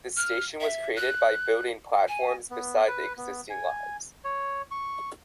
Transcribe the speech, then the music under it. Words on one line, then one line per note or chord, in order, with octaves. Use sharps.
The station was created by building platforms beside the existing lines.
F6
E5
F#6
G#5
B3
B4
B3
G#5
C#5
C#6